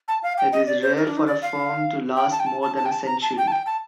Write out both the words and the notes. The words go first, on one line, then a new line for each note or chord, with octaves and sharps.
It is rare for a firm to last more than a century.
A5
F5
G5
D#5
D5
C5
A#4
D4
D#4
D5
F5
G5
A5
G5
A5
A5
A5
G5
A5
A#5
A5
G5
A5
G5
A5